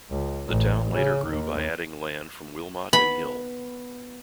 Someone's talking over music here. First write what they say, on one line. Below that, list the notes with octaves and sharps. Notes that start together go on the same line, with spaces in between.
The town later grew by adding land from Wilmot and Hill.
C#2
A1
C#3
D#2
B3 B5